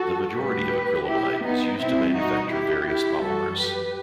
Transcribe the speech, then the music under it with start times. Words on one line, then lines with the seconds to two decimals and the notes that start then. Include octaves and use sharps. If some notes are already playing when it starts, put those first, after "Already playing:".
The majority of acrylamide is used to manufacture various polymers.
Already playing: F#4 A4
0.36 A2 G3 G4 B4
1.08 E4 G4
1.45 B3 D#4
1.80 B2 G3 C4 E4
2.16 D#4 F#4
2.52 E4 G4
2.88 E4 G4
3.24 F#2 E3 G3 F#4 A4
3.59 G4 B4